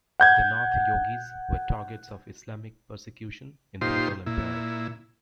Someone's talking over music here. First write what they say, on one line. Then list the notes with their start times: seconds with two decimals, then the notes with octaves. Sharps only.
The Nath Yogis were targets of Islamic persecution in the Mughal Empire.
0.20 F#5 G6 G#6
3.81 A#2 D#4 F4 G4 C5 C6
4.26 A#2 E4